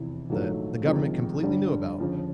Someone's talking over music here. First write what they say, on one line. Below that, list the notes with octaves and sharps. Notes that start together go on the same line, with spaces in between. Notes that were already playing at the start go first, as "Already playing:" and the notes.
the the government completely knew about,
Already playing: F1 E2 C3 E3
A#1 G#2 D#3 F#3 A3
G1 F2 C3 D#3 G#3
G1 G2 D3 G3
G1 F2 C#3 F3